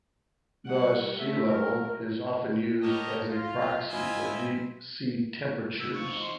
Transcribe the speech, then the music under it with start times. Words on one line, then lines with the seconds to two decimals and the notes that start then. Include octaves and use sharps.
Thus sea level is often used as a proxy for deep sea temperatures.
0.66 G3 F#5
1.17 A3 E5
1.48 A#4
2.82 B3 G4 A#4 C#5 D#5 A5
3.28 F4
3.88 C4 E4 F4 D#5 E5 G#5
5.80 B2 E6
5.94 C4 F4 C#6
6.09 C4 D#4
6.21 C6